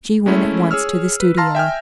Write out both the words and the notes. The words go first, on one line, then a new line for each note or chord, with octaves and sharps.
She went at once to the studio.
G#3 A3 C#4 E4
G#4 C#5 E6 F6
B4
F5 A5 A#5 C6 F6 A#6
E5 G5 G#5 F6